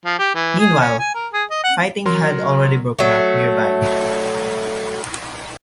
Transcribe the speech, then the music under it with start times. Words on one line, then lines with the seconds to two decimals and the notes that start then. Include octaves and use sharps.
Meanwhile, fighting had already broken out nearby.
0.05 F3
0.18 G4
0.35 E3
0.59 G#4
0.80 C#4
0.99 G#5
1.14 A#4
1.33 G#4
1.51 D#5
1.63 F#5
2.06 F#3 A#4 C6
2.99 F#3 A3